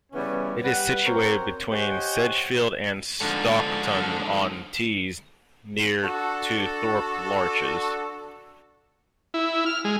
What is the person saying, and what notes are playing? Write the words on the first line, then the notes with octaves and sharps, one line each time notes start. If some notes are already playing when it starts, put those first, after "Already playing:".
It is situated between Sedgefield and Stockton-on-Tees, near to Thorpe Larches.
C#3 E3 G3 B3 C#4
G3 B4 F#5
C4 F#4 A#4 C5 C#5
G4 C5 C#5 D#5 F#5 G#5
G#2 D3 F3
D4 F#4 A4
E4
F6
G#3